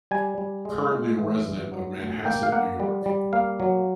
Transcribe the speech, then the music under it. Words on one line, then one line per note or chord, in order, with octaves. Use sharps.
Currently a resident of Manhasset, New York.
G3 G#5
G3
G#3
G#3
E3
G2
F#3
D2
A#3 G5
F5
A#3 F#5
G3
G3
A#3 F5
F#3